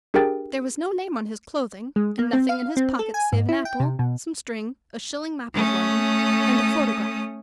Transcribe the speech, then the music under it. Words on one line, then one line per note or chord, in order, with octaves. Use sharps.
There was no name on his clothing, and nothing in his pockets save an apple, some string, a shilling map of London, and a photograph.
D4 G4 G#4 A#4 G5 A6
G#3
A#3
C4
F5
C4
A4
G#5
G#2
E4
G5
C3
B2
A3 C#4 D#6